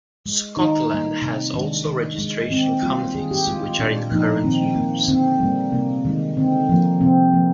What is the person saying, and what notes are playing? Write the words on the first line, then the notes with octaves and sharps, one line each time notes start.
Scotland has also registration counties, which are in current use.
G#3
D#3 D#4
G3 A#3
C3
D#3 G#3 D4
D#3
G#3
D#3 C4
G3 A#3 F4
D#3 G#4
G4
G#3 F4
F4
A#2 D4
F3 A#3 D#4
D#3 C4
A#3
D3 C4
G3 A#3
C3 A#3
D#3 G#3
D3 C4
F3 A#3
C3 C4
F3 A#3